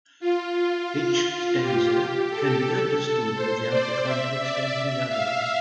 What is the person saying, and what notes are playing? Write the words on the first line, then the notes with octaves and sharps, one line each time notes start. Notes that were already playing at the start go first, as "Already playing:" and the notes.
Each stanza can be understood without the context of the others.
F4
G4
A4
C5
D5
E5
D5
E5
F5